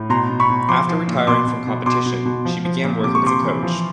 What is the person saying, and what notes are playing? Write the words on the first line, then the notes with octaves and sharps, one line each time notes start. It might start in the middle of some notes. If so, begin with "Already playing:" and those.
After retiring from competition, she began working as a coach.
Already playing: A2
B2 A#5 C6
B2
B5 C#6
B2
F3 C6 D6
F3
A#2
B2 C6 D6
B2
B2
B2 C6 D6
B2
B2
F3
F3
A#2
C3 D6
C#6
C3 C6 D6
E3
F3